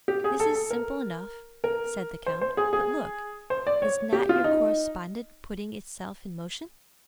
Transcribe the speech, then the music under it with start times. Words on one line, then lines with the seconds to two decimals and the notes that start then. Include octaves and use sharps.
"This is simple enough," said the count; "but look, is not your correspondent putting itself in motion?"
0.08 G4
0.24 G#4
0.40 A4
0.55 A4
0.71 A#4
1.64 A#4
2.26 C5
2.41 C5
2.57 G#4
2.73 G#4
3.50 C5
3.67 D5
3.82 C#5
4.13 G4
4.29 F4
4.44 D#4